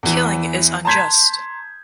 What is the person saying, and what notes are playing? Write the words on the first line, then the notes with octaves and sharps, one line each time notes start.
Killing is unjust.
E2 E3
A5 A#5 C6 G6 G#6 B6